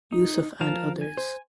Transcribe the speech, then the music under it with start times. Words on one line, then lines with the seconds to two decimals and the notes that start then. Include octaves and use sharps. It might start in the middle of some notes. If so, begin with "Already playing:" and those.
Yusuf and others.
0.12 D#4
0.61 F3 A#4 F5 A5
1.01 G#5
1.17 C5